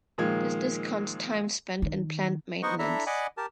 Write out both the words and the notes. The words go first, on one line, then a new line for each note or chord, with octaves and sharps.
This discounts time spent in planned maintenance.
A#2 D#3 F3 G#3 G#6
D#3
B3 D#4 C5 D#5 F#5 C#6
D4 E4 A4 E5 A#5
D5 D#5 F#5 G#5 B5 D6
G4 A#4 A5